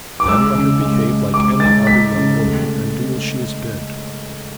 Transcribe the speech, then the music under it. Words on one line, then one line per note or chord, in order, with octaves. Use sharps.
'Then let her behave like any other young woman, and do as she is bid.
D6
G#3 E6
C#3
G#3
G#3
G#3 D6
G#3 A6
G#3 B6
C#3
A3